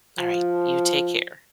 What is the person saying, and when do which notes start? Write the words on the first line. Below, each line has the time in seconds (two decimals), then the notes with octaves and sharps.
Alright, you take care.
0.18 F3